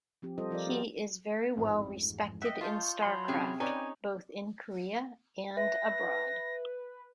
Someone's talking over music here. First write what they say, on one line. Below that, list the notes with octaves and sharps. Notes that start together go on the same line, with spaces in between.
He is very well respected in StarCraft both in Korea and abroad.
F3 C4 G4
G3 C4 F4 A4 C5 D#5
F3 F4 A#4 D5
B3 F#4 G4
A1 F2 G#2
D#5 E5 F#5 G5
F4 A5 C#6 G6
F#3 B5 C6
C3 C#4 G#4
C#4 D#4 B4 D5 G5 G#5
B4 E5 A#6